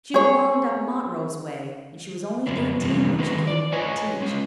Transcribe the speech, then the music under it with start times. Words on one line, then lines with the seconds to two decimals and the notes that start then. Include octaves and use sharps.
She belonged up Montrose way and she was only eighteen when she came here to teach.
0.14 G#4 C#5
2.46 F#2 D3 B3 D4
2.80 F2 C3 E3 G3 A3
3.19 D3 D#3 G#3 B4
3.47 D5
3.72 B4 C#5 D#5 G#5
4.21 G#3 C#4